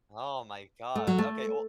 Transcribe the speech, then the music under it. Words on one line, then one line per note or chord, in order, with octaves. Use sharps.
Oh my God. Okay, well eh,
A3
F#3
A3